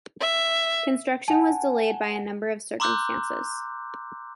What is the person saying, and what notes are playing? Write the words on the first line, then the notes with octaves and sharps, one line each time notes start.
Construction was delayed by a number of circumstances.
E5
F#5 G#5 A5
A#5 C6 D6 E6 F#6 G6